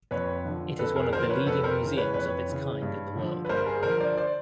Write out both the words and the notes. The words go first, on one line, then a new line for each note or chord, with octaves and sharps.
It is one of the leading museums of its kind in the world.
F2 B4 C#5
D3 F3
F2 A4 B4
G#4 A#4
D3 F3 A#4 C5
B4 C#5
F2 A4 B4
A#4 C5
C#3 E3
B4 C#5
F2 B4 C#5
C#3 E3
G2
D3 F3
B4
G2 A#4 C5
G#4 A#4
D3 F3 A#4 C5
C5 D5
C5 D5